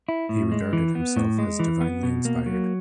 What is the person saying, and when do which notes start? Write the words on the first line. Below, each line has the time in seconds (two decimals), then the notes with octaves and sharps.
He regarded himself as divinely inspired.
0.09 E4
0.29 A2
0.52 G#3
0.73 E3
0.95 B3
1.16 A2
1.38 G#3
1.59 E3
1.81 B3
2.03 B2
2.25 A#3
2.46 F#3